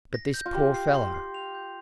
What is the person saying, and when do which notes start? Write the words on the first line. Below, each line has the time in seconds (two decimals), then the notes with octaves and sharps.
"But this poor fellow?"
0.14 A#6
0.34 G6
0.46 F4
0.54 G4 C6
0.74 C7
0.94 C6
1.14 C7
1.34 F7
1.55 G6